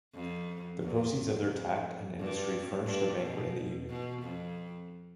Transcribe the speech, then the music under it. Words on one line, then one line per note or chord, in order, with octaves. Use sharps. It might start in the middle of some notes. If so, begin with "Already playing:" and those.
The proceeds of their tact and industry furnished a banquet in the evening.
F2
E2
F2
G2
G2
B2
B2
F2